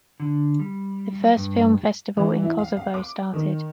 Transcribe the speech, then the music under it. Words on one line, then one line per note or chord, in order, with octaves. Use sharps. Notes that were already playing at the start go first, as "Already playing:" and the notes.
The first film festival in Kosovo started.
D3
G3
G2
E3
E4
F5
F5
D6
D#3